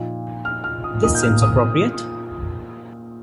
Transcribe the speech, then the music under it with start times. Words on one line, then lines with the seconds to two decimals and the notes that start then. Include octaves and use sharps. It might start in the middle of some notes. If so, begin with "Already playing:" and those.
This seems appropriate.
Already playing: A#2 F3 D#4
0.45 F6
0.64 F6
0.84 D#6
1.03 A#2 A#3 D#4 D#6
1.15 G6
1.22 F6
1.42 D#6